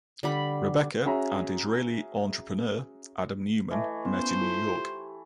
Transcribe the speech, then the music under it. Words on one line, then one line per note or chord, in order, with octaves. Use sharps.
Rebekah and Israeli entrepreneur Adam Neumann met in New York.
D3 G3 B5
C#4 F#4 G#4 C#5 E5 A#5
E3 A3 D#5
B3 C#4 C5
E4 F4 A4
G4